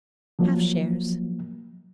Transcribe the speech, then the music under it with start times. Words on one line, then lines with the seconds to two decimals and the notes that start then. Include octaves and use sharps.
"Half shares."
0.39 F3 F#3 A#3